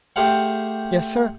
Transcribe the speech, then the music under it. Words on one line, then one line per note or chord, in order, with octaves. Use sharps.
"Yes, sir."
A3 G4 G#4 C5 F5 F#5